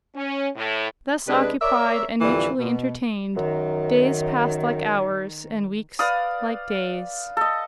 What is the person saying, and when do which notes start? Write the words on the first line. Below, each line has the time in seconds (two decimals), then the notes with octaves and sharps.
Thus occupied, and mutually entertained, days passed like hours, and weeks like days.
0.16 C#4
0.56 A2
1.28 C3 G#3 D4 B4
1.62 A#4 C#5 D5 E5
2.21 F2 A#2 D3 E3 G3
2.59 B2
3.36 F#2 D#3
5.99 B4 D5 F5 D#6
7.37 A4 D#5